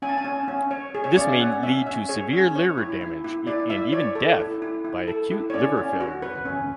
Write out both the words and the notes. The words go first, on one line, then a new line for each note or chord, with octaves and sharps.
This may lead to severe liver damage and even death by acute liver failure.
C#4 G#5
A5
G#5
C#4
C#4
C#5
G#4
C#5
C#4 D5
E5
C#4 F#5
C#4 E5
C#4 E5
G#4 C#5
C#4
C#5
E4
E4
E4
E4 D5
E4 E5
C#5 D5
A4
E4
E4
E4
A4
E4
C#5
C#4 D5
C#4
F#4
B4
C#4